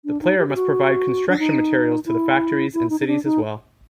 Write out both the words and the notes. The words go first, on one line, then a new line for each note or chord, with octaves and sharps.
The player must provide construction materials to the factories and cities as well.
D4
D#4
G4
G4
F#4
D4
D#4
E4
E4
D#4
D#4
D4
D#4